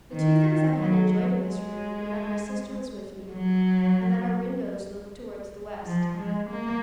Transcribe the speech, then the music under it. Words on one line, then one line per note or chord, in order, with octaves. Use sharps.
The two things I had enjoyed in this room were that my sister was with me, and that our windows looked toward the west.
D#3
F#3
G#3
F#3
F3
G#3
A#3